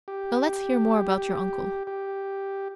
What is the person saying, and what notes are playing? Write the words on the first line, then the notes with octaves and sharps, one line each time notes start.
"Now let's hear more about your uncle."
G4
G4